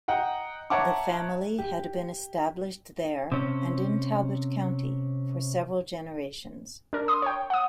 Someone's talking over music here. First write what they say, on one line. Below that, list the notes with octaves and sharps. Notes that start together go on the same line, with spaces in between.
The family had been established there and in Talbot County for several generations.
D#5 F#5 G5 A#5
C#5 E5 F#5 A5 A#5 D6
G4
C3 C#4
D4 A#4
C6 D#6
C#5 G5
F#5 D#6